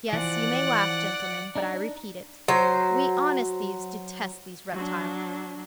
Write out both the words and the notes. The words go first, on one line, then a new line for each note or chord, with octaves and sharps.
Yes, you may laugh, gentlemen, but I repeat it: we honest thieves detest these reptiles.
E3 F3 D5 F#5
D4 D#4
F#3 C5
F#3 D4